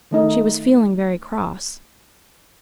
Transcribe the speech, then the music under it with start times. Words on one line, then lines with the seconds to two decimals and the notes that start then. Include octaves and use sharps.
She was feeling very cross.
0.11 D#3 A3 D#4